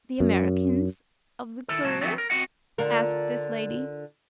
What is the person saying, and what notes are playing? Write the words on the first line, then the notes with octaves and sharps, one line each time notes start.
"The Americans--of the courier?" asked this lady.
F#2
D#3 E4 A4
C#2 A#2 F#3 A5
D3 F3 F#3 A3 B3 C4
A#4
C4 F#4 D#5 F#5
D3 F4 A#4